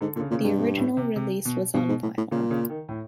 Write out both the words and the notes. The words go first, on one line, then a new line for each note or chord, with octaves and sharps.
The original release was on vinyl.
G#2 D3
A#2 D3
C#3
A#2 C#3
C3
G2
B2
A2
C3
C3
B2
G2 B2
G#2
A2
A2
A#2 C#3
C#3
D#3
A2